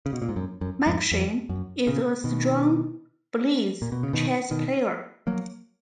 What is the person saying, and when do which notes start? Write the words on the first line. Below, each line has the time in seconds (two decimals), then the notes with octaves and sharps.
McShane is a strong blitz chess player.
0.06 C#3
0.13 B2
0.22 A#2
0.29 G#2
0.36 F#2
0.61 F#2
0.86 F2 G#2
1.12 F2
1.49 F#2
1.87 A#2 C#3
2.24 B2 D#3
3.82 A#2
3.92 B2
4.03 C#3
4.13 B2 D#3
4.51 B2 D#3
5.27 F#3 A#3